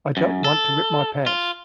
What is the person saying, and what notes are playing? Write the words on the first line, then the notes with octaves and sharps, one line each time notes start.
I don't want to rip my pants.
F#2
A4
F4